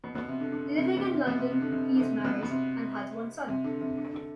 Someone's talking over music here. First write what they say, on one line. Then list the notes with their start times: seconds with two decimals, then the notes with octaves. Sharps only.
Living in London, he is married and has one son.
0.04 B2
0.15 B2
0.28 C3
0.40 D3
0.52 D3
0.77 C3
0.97 B2
1.02 C3
1.14 C3
1.27 B2
1.38 C3
1.51 C3
1.61 D3
1.72 C3
1.96 D3
2.00 C3
2.20 C3
2.24 B2
2.42 B2
2.50 C3
3.48 C3
3.64 D3
3.80 C3
3.97 D3
4.14 D3